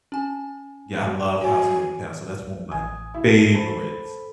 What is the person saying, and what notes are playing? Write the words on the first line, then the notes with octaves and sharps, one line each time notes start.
Yeah, I love Howl's Moving Castle. That's one of my favorites.
C#4 G#5
F#4 C#5 G#5
A1 G#5 D#6
E4
A2 A5
A4 C5 A5 B5